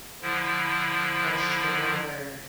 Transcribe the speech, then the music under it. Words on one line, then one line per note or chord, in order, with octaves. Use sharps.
For sure.
D3 F3 E4